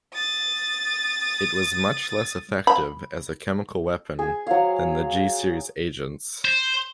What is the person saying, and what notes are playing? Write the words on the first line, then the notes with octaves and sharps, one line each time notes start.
It was much less effective as a chemical weapon than the G series agents.
D#6 A6
B5
G#4
F#3 F5
C5